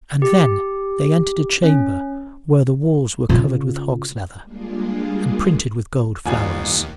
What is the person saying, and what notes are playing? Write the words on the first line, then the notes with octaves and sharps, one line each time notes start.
And then they entered a chamber where the walls were covered with hog's leather, and printed with gold flowers.
G4
C#4
C#3 F4
G3 G#3 A#3 D4 F4 G#4
G1 D#2 G#5